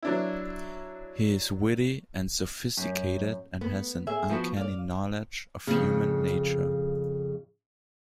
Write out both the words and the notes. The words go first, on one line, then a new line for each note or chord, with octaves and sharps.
He is witty and sophisticated and has an uncanny knowledge of human nature.
F#3 D4 E4
F#2
B3
G#4 E5
F3 B3 F#4
D5 F5
F2 C#3